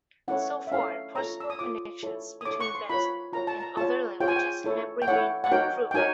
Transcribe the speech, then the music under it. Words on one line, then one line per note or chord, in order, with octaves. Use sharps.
So far, possible connections between Basque and other languages have remained unproven.
C#4 E4 A4 C#5 F#5
E5
C#4 E4 A4 C#5 F5
F4 A4 C#5 A#5
E6
D#6
F4 A4 C#5 D6
E4 A4 C#5
D#6
E4 A4 C#5 D6
C#6
C6
F4 A#4 C#5 B5
F4 A#4 C#5 A#5
A5
A#5
F4 G#4 C#5 A5
F4 G#4 C#5 G5
G#5
G5
E4 A4 C#5
G5
E4 A4 C#5 F#5
F#5
D#4 F#4 A#4 C#5 G5
G5
D#4 F#4 A#4 C#5 G#5